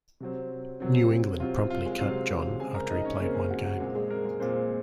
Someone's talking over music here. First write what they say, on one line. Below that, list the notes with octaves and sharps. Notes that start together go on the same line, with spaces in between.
New England promptly cut John after he played one game.
C3 F#3 C4
C3 F#3 C4
C3 F#3 C4 F4
F4
F4
G#3 G#4
C3 F#3 C4 F4 F5
C#3 G#3 C4 G#4 G#5
A#4 A#5
D#4 D#5
C#4 C#5
C#3 G#3 A#3 C4 A#4
G#3 G#4
F#4
F#4
A#2 G#3 C4 G#4
G#3 G#4
A#3 A#4
G#3 G#4
A#2 G#3 C4 C5